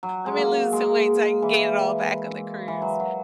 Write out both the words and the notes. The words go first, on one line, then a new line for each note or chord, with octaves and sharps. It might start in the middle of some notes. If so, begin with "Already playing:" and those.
Let me lose some weight so I can gain it all back on the cruise."
F#3
G#3
A#3
G#3
E3
E3
F#3
F#3